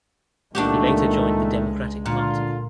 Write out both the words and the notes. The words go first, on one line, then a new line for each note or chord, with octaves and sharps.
He later joined the Democratic Party.
C#2 A#2 D#3 G#3 A3 D4 F#4 G4
A#2 D3 F4